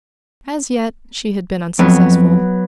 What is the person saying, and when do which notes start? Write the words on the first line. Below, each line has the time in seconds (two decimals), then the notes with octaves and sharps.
As yet she had been unsuccessful.
1.79 F2 F#3 B3